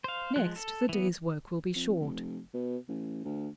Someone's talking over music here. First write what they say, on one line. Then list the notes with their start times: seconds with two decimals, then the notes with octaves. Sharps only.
Next, the day's work will be short.
0.04 C5 F5
0.36 F3 G#3 F#6
0.56 A4
0.89 E3 B3
1.75 F2
2.00 F1
2.54 B2
2.88 A1
3.24 D2